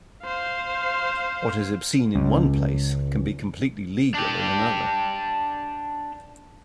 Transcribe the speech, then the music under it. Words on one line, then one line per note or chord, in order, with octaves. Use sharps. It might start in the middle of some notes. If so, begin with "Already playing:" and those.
What is obscene in one place can be completely legal in another.
C5 F5
C#2
D4 G4